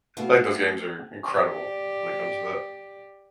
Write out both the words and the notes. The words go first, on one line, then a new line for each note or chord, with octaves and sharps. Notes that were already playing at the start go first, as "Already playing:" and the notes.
like, those games are incredible when it comes to that.
G3 A3 B3 E4 F#4 F5
G4 D5